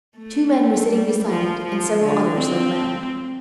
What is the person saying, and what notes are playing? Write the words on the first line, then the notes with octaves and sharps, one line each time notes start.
Two men were sitting beside it, and several others lay round.
A3
G3
F3
F3
D3
C4